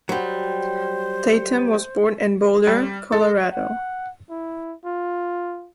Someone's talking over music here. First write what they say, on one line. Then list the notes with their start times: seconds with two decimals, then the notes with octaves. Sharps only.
Tatum was born in Boulder, Colorado.
0.09 F#3 G3 C5
2.67 G3
3.12 A4
3.52 F#5
4.30 E4
4.85 F4